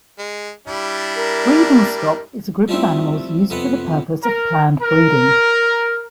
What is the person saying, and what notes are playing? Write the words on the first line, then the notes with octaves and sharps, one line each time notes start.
Breeding stock is a group of animals used for the purpose of planned breeding.
G#3
G3 D4 E4
A#4
F3 G3 A3 C4 E4
F2 C3 B3 B4 F#5
A#4
A#4